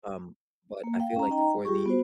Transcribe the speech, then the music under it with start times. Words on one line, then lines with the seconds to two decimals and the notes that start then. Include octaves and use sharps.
Um, but I feel, like, for the
0.84 A#3
1.00 F5 G5
1.16 C#4 A#5
1.30 D#4 D#5 G5 A#5
1.65 G3 F4 G4 G#4 C#6
1.86 B3 F#4 C5